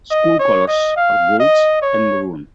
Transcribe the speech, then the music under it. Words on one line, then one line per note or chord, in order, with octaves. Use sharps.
School colors are gold and maroon.
D#5
C#5
D#5
F5
D#5
C#5